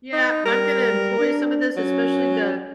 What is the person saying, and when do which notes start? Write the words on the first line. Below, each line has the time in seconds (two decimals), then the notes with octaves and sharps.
Yeah, I'm gonna employ some of this, especially the
0.13 D#4
0.46 G3 A#4
1.19 D4
1.77 F#3 C#4